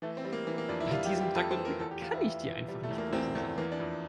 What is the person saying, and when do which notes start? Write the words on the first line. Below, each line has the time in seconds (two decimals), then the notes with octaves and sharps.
Bei diesem Dackelblick kann ich dir einfach nicht böse sein.
0.02 E3 A3
0.17 C4
0.24 G3
0.33 A#3
0.47 E3
0.58 A#3
0.69 F2 D4
0.80 E4
0.91 G3 F4
1.05 G4
1.13 G3
1.20 G4
1.35 F2 A4
1.51 C5
1.57 E3
1.65 A#4
1.80 E2 A4
1.91 G4
2.02 E2 F4
2.14 E4
2.24 E3
2.46 E3
2.68 G3
2.83 A3
2.91 E2
2.98 A#3
3.13 E2 C4
3.35 E2 A3
3.58 E3 A#3
3.72 D4
3.80 F2